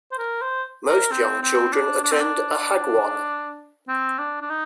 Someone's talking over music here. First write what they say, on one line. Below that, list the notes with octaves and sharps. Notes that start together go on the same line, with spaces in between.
Most young children attend a hagwon.
C5
A#4
C5
A#4
C4
C4
D4
D4
C4
D4
C4
D4
D4
D#4